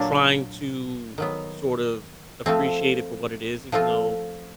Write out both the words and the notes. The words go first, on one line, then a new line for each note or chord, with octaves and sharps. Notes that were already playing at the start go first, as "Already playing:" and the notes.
trying to sort of appreciate it for what it is, even though,
Already playing: A#2 F#3 A#3 D4
D#3 F#3 B3
F3 A3 C4
F3 A3 C4 F4